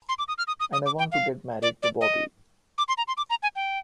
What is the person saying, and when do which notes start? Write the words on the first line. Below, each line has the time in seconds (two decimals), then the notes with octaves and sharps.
And I want to get married to Bobby.
0.09 C6
0.19 D6
0.28 D#6
0.38 F6
0.47 D#6
0.60 D#6
0.73 D#6
0.86 D6
0.99 G5
1.12 F5
1.62 D5
1.83 D5
2.01 D#5
2.78 D6
2.88 C6
2.98 A#5
3.08 C6
3.17 D6
3.30 A#5
3.43 G#5
3.56 G5